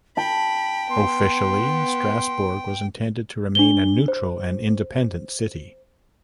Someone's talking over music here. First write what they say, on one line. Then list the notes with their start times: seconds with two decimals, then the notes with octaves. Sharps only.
Officially, Strasbourg was intended to remain a neutral and independent city.
0.17 G5 A5 B5
0.91 B3 C6
3.55 D4 G7
4.08 C5